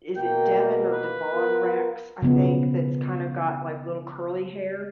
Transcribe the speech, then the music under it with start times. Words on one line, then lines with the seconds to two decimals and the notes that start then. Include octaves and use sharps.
is it Devon or Devon Rex, I think, that's kinda got like little curly hair?
0.16 B2 A#3 G5
0.93 B4
1.31 B3 F4 A#4
2.22 C#3 F3 B3